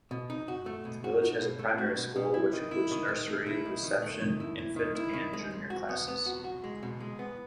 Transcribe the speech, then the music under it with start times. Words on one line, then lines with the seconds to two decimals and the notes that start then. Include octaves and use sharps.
The village has a primary school which includes nursery, reception, infant and junior classes.
0.11 B2
0.30 D#4
0.48 F#4
0.66 A3
0.85 B2
1.04 F#4
1.22 D#4
1.41 B2
1.59 A3
1.78 F#4
1.97 B2
2.16 B2
2.34 E4
2.53 D#3
2.71 E4
2.91 D#3
3.08 D#3
3.28 A3
3.46 E4
3.65 D#3
3.83 D#3
4.02 A3
4.21 D#3
4.40 E4
4.58 E4
4.76 D#3
4.95 E4
5.14 D#3
5.33 G#3
5.51 G#3
5.70 F#4
5.89 B3
6.08 B3
6.26 F#4
6.44 F#4
6.64 G#3
6.83 B2
7.00 G#3
7.19 B3